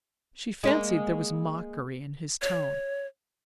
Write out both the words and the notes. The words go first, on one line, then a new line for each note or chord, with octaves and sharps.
She fancied there was mockery in his tone.
G#3 A#3
C#5